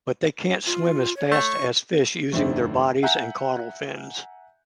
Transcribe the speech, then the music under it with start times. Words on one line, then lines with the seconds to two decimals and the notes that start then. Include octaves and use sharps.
But they can't swim as fast as fish using their bodies and caudal fins.
0.67 F4
1.17 C#5
1.32 A3 C#6
2.32 G1 F2 A3 D4 D#4 C5
3.03 E5 F#5 G#5 A#5 F#6 G6